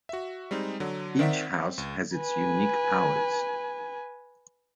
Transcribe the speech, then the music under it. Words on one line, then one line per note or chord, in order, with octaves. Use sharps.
Each house has its unique powers.
F#4 E5
G3 G#3 C4 D#4
D3 F#3
D#3 C4 D5 E5 F#5 B6
C4
C#2
B4 G#5